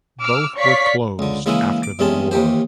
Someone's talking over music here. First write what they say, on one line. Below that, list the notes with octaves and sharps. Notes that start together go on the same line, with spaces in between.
Both were closed after the war.
D6 E6 F6
C#5 D5 F5 C#6 B6
C#2 D3
C#3 E3 G#3 A#3 E4
D6
E2 C3 G#3 C#4 A5
D#2 E3 G4 C5